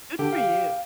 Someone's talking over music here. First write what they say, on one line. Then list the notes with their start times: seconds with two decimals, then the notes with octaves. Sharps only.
Good for you.
0.19 D3 G4
0.33 F5